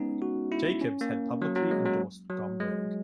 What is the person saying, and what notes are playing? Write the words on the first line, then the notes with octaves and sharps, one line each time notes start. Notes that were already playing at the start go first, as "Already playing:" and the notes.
Jacobs had publicly endorsed Gomberg.
Already playing: G#3 B3 C#4 D#4
F#4
E4
C#4
A#3
F#3
F#3
G#3
F#3
F#3
G#3